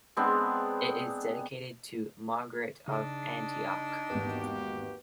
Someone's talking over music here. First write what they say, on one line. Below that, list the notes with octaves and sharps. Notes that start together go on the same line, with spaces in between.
It is dedicated to Margaret of Antioch.
G#3 B3 C4 D4
C#3 D4 D#4
G#1 E2 A#3 F#4 G4 B4